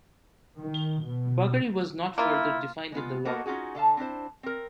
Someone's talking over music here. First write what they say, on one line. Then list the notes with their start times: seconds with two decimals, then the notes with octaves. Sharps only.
"Buggery" was not further defined in the law.
0.60 D#3
1.05 B2
2.18 A#3 E4 F4
2.92 G#3 B3 F4
3.25 A#3 B3 F#4 A4 A#4 D#5
3.46 C#4 D#4 F4 F#4 G#4
3.75 D3 A4 F5 A5
3.97 C4 D4 E4 C5
4.43 C4 A#4